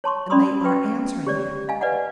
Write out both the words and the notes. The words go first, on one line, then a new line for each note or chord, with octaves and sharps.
And they are answering him!
C#5 A5 C6 C#6
C#4 D5 B5 C6 D#6 E6
B4 E5 G5 C#6
G4 C#5 D5
D#5 F5 G#5
B4 D5 D#5 F#5